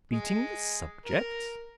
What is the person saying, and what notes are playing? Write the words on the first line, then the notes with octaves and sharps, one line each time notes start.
"Beating the subjects!"
G#3
A#4